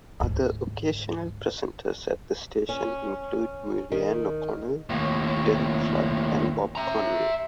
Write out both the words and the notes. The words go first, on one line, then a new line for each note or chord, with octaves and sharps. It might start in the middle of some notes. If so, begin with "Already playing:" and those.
Other occasional presenters at the station include Muireann O'Cononell, Derek Flood and Bob Conway.
D2 G#2
C#4
D#3
D#2 A2
E5 A#5